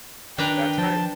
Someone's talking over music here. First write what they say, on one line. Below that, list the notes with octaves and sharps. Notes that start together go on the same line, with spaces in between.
That's right.
D#3 D4 B4 G5 A#5
F3 A5